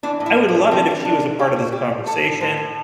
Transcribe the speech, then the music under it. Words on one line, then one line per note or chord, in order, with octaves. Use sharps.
I would love it if she was a part of this conversation,
E3 D4
A2
E4
A2
D4
A3
D3 C4
D3
D3 D4
D3
G3 G4
G3
G3 G4
G3
A2 A4
A2
A2 C5
A2